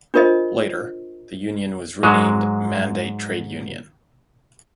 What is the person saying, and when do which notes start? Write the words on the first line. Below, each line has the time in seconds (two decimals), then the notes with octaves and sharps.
Later, the union was renamed "Mandate Trade Union".
0.14 D4 F4 A#4 C5 D#5
2.03 G#2 F#3 G#3